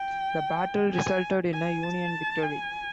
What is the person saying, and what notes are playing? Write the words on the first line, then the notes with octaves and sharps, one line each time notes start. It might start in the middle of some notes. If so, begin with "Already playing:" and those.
The battle resulted in a Union victory.
Already playing: G5
G#5
G#5
A5
G#5